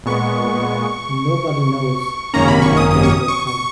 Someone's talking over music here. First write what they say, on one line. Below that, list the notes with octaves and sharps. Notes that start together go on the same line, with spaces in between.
Nobody knows when that day will come.
A#2 G#3 B3 C#6
G#1 F#2 D#3 A#3 C#4 A#5
B5
C#6
D#6
D#6
C#6
D#6
C#6
C#6